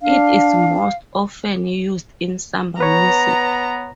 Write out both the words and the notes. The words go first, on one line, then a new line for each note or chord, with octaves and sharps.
It is most often used in samba music.
D4 F5
B3 B4 C#5 A#5